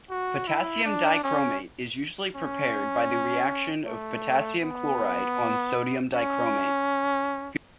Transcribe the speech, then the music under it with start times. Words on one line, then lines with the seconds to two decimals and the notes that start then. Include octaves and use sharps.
Potassium dichromate is usually prepared by the reaction of potassium chloride on sodium dichromate.
0.10 F#4
0.47 E4
0.85 D4
1.23 C#4
2.36 C#4
3.87 A3
4.62 B3
6.13 C#4